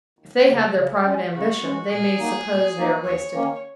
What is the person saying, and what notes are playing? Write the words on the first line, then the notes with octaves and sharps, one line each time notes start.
If they have their private ambition, they may suppose they are wasted.
D#2
C#3 F#3
C#3
G#3 C#4
C#3 F#4
G#3 C#4
A#2 G#4
F#3 A#3 D#4
A#2
F#3 A#3 D#4
D#2 C#5
D#3 A#3 C#4